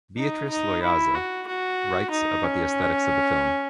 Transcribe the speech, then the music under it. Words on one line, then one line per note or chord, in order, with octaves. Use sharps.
Beatrice Loayza writes about the aesthetics of the film.
D#4
D#4
E4
F#4
F#4
D#4
C#4